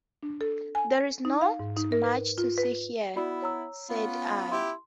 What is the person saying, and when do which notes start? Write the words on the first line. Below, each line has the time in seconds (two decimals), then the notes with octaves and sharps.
"There is not much to see here," said I.
0.23 D4
0.41 A4
0.75 G#5
1.25 D#4
1.41 F5
1.60 G#2
1.77 D#4
1.92 A#4
2.04 B4
2.38 F4
2.58 B4
3.16 B3 E4 F#4 D5 B5
3.42 C#5 A#5 E6
3.89 B3 C#4 F4
4.52 E4 G4 C6